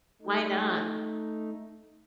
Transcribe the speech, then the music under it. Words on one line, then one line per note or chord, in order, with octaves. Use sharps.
Why not?
A3 D#4